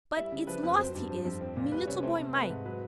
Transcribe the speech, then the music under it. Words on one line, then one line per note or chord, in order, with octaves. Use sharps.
But it's lost he is, me little boy Mike.
G3 E4 E5
C#3
F3 B4
F2 B4
F#3 C4 C5
G2
F3
F2
C4
A#2
G3 B4
C3 C#4 C#5
A3 C4 C5
C3
A3 B4
G#2
F#3 B4